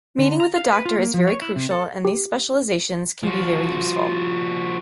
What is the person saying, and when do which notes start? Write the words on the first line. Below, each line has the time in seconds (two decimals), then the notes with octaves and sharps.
Meeting with a doctor is very crucial and these specializations can be very useful.
0.18 D3
0.40 A#5
0.56 F5
0.72 B4
0.85 F4
0.99 A#3
1.14 F3
1.27 C#5
1.42 E4
1.56 C3
1.71 A4
2.05 G4
3.23 F3 F#4